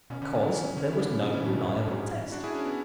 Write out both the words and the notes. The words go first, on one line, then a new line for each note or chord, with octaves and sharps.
Because there was no reliable test.
B2 C#4
D3 C#4
C#3 B3
B3
F#3
E3 C#4
D3 C#4
E4
D3 B3 D4
C#4 E4
B2 B3 D4
C#4 E4
A2
B2
A2
A2
G#2
D4 F#4
E4 G#4
C#4
B3